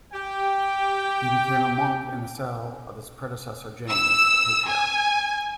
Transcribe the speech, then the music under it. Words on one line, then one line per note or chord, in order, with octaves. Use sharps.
He became a monk in the cell of his predecessor James, the Patriarch.
G4 G5
E6
G#5